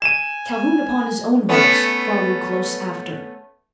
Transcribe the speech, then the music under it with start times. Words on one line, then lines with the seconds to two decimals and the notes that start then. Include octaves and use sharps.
Calhoun, upon his own horse, followed close after.
0.02 G#5 D#7 E7
1.49 A3 B3 C#4